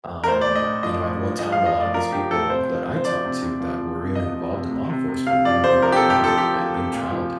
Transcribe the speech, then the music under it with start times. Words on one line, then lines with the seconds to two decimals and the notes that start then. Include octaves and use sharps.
Um, you know, at one time, a lot of these people that I talked to that were even involved in law enforcement, even way back then, and being a child,
0.24 A#4
0.28 A2 C5
0.41 A2 D5
0.55 D#5
0.65 A2
0.83 F3 D#5
1.02 A2
1.20 F3
1.38 F3 D#5
1.52 F3 F5
1.66 D#5
1.76 A2 D5
1.94 F3 A#4
2.12 F3 G4
2.31 A2 A4
2.50 C3 C5
2.68 F3
2.87 C3
2.96 C5
3.05 F3 D5
3.24 C3
3.42 C3
3.60 F3
3.79 F3
3.97 C3
4.15 F3 D#5
4.35 F3
4.52 C3
4.71 C3
4.89 C3
5.08 C3
5.27 C3 F5
5.45 F3 D5
5.64 C3 C5
5.82 F3 A#4
5.92 G4
5.96 C3 A4
6.10 G4
6.19 F3 A4
6.38 F3 G4
6.56 F3
6.75 C3
6.93 A#2
7.11 F3